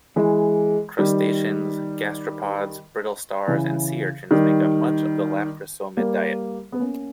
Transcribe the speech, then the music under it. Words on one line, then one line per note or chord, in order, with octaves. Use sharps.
Crustaceans, gastropods, brittle stars, and sea urchins make up much of the labrisomid diet.
E3 G#3
D#3 G3
C#3 E3
D#3 G3
G3 A#3
B3
A#3 C#4